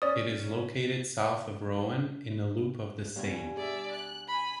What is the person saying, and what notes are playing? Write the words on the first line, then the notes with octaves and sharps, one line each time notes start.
It is located south of Rouen in a loop of the Seine.
C#4 D5 D#6
G2 B2 G#5
G#4 D5 E5
F#6
G#5 B5